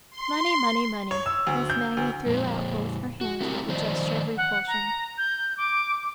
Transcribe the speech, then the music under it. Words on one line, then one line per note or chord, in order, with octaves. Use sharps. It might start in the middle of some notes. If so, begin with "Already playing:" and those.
"Money, money, money!" Miss Maggie threw out both her hands with a gesture of repulsion.
C6
C#5
E6
D2
G6
D2
F2 A#2 C4
F#4
A3 C4 E4 G4 A#4
D#3 F3 C5 D5 D#5
F#5
A#5
G6
D6